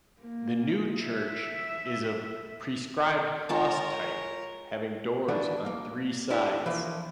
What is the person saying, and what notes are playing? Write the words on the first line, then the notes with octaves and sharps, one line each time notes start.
The new church is of "prescribed cross" type, having doors on three sides.
A#3
E5
G#3 F4 A#4 C#5 A5
D#2 E3 D4 F#4 F#5
A#3
D4 E4 G4 A4
E3 F3 A#3